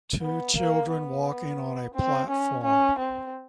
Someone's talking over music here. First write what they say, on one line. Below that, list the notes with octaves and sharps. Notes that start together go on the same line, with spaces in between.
Two children walking on a platform.
B3
A#3
B3
C4
C#4
C#4
C4